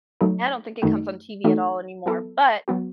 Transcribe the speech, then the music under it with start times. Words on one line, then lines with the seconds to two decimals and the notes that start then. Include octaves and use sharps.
I don't think it comes on TV at all anymore, but
0.21 F#3 A3 D#4 A4
0.82 F#2 D#3 A3 D#4 F#4
1.44 E3 A3 D#4 F#4 A4
2.06 F#3 B3 E4 A4
2.68 F#3 B3 F#4